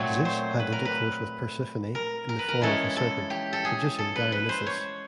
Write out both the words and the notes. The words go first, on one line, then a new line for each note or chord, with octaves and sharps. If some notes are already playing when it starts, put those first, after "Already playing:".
Zeus had intercourse with Persephone in the form of a serpent, producing Dionysus.
Already playing: A#2 F#3 A3 C4 C#5
C5
B4
A#4
B4
A#4
A#4
B4
A#4
C#3 E3 G#3 C#4 E4 A4
A4
G4
A4
G#4
A4
B4
B4
C5
C#5